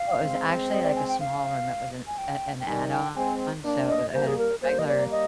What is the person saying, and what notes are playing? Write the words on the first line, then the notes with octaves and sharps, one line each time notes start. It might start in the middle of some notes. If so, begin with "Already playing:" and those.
Oh, it was actually, like, a small room, it was an, uh an add-on, so it was it had just a regular,
Already playing: F5
G#3 C4
D#5
D5
G#5
G5
F5
G#5
G5
G5
D#3 G3 G#5
G5
G#3 C4 G#5
A#3 D4
D#5
G3 A#3 C5
G#4
A#4
G3 A#3 C5
D#5
D5
D#5